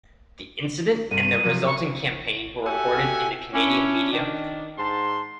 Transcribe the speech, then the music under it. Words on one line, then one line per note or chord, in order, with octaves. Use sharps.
The incident and the resulting campaign were reported in the Canadian media.
G2 C3 D#7
C3 F3 F#3
C#6
F#4 G4 A4 E5 F#5 G#5
C#4 D4 E4
D#3 D4
G#2 A5 C6